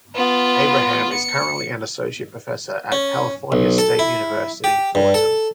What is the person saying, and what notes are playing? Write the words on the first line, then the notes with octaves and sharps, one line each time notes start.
Abraham is currently an associate professor at California State University Fullerton.
B3 F4
C#7
C#4
B1
A4
E4
G4
G2
A4